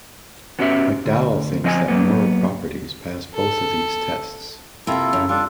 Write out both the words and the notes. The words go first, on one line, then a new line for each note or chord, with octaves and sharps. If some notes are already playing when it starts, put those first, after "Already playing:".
McDowell thinks that moral properties pass both of these tests.
B3 C#4 F#4 G4 D#5 E5
D2
F3 C4 D#5 F5 G#5
F#3 A#3 B3
A4
C3 A#3 E4 F4 A4
F#2 C#3
G3 D4 F4 A4